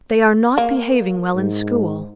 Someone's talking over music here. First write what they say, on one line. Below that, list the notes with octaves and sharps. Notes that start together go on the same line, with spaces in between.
"They are not behaving well in school."
A#3
G#2